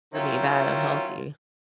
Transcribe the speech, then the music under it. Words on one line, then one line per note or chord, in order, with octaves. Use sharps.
for me bad, unhealthy.
D#3 F#3 C4 C#4 E4 F4